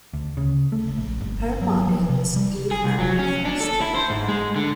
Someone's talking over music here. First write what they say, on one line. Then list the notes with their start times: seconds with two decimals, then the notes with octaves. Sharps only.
Her mother was Eve Cody Foster.
0.13 D2
0.37 C#3
0.72 A3
0.98 A#1
1.21 G1
1.61 F#3
1.88 F3
2.09 C3
2.36 G3
2.71 G#4
2.84 C2
3.00 F#3
3.19 C#4
3.45 D4
3.60 A4
3.81 E4
3.95 C5
4.10 G#2
4.28 G#3
4.56 D3